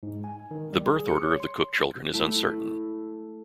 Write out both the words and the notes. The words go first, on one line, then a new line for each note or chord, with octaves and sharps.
The birth order of the Cooke children is uncertain.
G#2
G#5
D#3
G3
G#4
C#7
C#5
C6
A3 E4